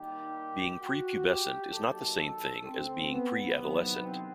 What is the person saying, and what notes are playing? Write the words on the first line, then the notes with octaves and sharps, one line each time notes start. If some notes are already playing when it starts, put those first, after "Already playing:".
Being prepubescent is not the same thing as being preadolescent.
Already playing: D#2 D#3 G3 G4
F#4
G4
D#2 D#3 F#3 A4
C4
B3
E2 C3 D#3 F#3 B3
C4